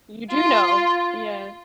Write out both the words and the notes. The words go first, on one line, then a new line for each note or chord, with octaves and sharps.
You do know, yeah.
F4